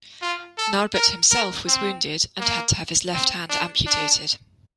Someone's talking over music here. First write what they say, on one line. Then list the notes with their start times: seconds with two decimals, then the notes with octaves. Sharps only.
Narbut himself was wounded and had to have his left hand amputated.
0.22 F4
0.58 A4
0.94 A#4
1.31 A#4
1.67 C4
2.40 A#3
3.13 C4
3.50 D4
3.86 D4